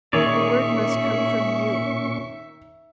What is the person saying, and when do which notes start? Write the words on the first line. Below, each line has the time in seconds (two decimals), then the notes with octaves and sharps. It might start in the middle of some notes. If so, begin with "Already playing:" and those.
The word must come from you.
0.13 A#2 D#3 C#4 G#4 C#5 D5 E5 C#6